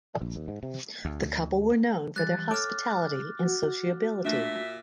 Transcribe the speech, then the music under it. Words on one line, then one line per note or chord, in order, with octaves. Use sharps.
The couple were known for their hospitality and sociability.
A#1
D#2
G#2
C3
D2
E3 G3 F#6 A6
A4 C#5 G5 D6 F6
F#4
A#2 A3 D4 E5